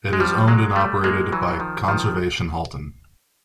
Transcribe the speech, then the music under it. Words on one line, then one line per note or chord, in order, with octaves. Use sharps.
It is owned and operated by Conservation Halton.
G#3
F3 G3
F#3 G#3
G3 A3
G#3 A#3
E3 F#3
F#3
D#3 F3
D#3 F3